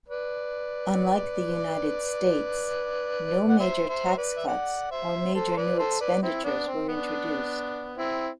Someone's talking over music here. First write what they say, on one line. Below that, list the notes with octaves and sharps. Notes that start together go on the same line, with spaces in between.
Unlike the United States no major tax cuts or major new expenditures were introduced.
B4 D5
F#5
C5 E5
C5 E5
E5
B4 D5
E5
D5 F#5
C5 E5
A4 C5
C5
B4 D5
A4 C5
B4 D5
C4 E4
B3 D4
C4
B3 D4
C4 E4